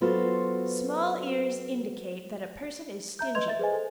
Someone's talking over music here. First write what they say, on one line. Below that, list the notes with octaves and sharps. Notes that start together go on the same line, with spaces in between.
Small ears indicate that a person is stingy.
F#3 B3 F4 F#4 A4 C5
E5 A#5 G6
B4 D#5 C6 G#6 F7
E5 A6
G#4 B4 C5 D#5 G#5
A4 C5